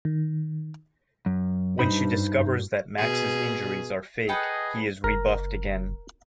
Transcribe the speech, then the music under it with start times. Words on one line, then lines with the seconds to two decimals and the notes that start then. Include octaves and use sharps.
When she discovers that Max's injuries are fake, he is rebuffed again.
0.05 D#3
1.26 F#2
1.79 G2 D#4 C5 B5
2.98 B2 G#4
4.29 G#4 A4 B4 D#5 F#5 G5
5.04 F#1 A#4